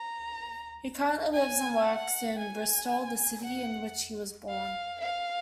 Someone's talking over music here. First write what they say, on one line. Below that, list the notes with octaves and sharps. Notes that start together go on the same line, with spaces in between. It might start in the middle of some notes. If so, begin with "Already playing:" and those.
He currently lives and works in Bristol, the city in which he was born.
Already playing: A#5
G#5
F#5
G#5
F#5
F5
F5